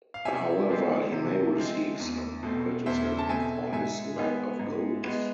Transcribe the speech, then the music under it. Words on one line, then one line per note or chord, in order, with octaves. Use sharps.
However, he may receive some criticism for his lack of goals.
F5
C3 E5 G#5
F3 G#3 C4
C3
F3 G#3 C4
E2
B2 A3 C4
E2 C5 E5
A5
B2 A3 C4 E5 G#5
G#2 E5 G#5
G#3 B3
G#2
G#3 B3